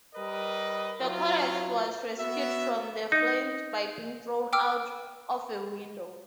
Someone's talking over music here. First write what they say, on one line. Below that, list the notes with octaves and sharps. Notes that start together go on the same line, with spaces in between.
The codex was rescued from the flames by being thrown out of a window.
G3 A#4 B4 D#5
F#3 E4 F4
B3 F#4 E5
D#4
G5 D6 E6 F6